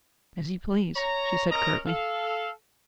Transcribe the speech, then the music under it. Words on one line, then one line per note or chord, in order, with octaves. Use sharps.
"As you please," she said curtly.
C#5 A#5
C#4 A#4 D#5 A#5
A4 F5